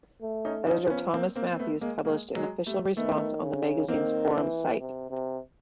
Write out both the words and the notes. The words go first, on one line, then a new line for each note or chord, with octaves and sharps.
Editor Thomas Matthews published an official response on the magazine's forum site.
A3
C#4 D#4
F3 C#4 D#4
B3 C#4
A#3 C4
A#3 C4
C4
A3 B3
G#3 A#3
G#3 A#3
F#3 G#3
G3 A3
D#3 A3 B3
C#3
D#3 A#3 C4
E3
C3
C3